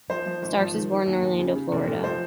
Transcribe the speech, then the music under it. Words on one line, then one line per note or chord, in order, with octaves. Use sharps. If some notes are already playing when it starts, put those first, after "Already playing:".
Starks was born in Orlando, Florida.
F3 C5
F3
G#1
F3
D#3
D#3
D#2
D#2
C#3
C#3
F1
F1
F3 C5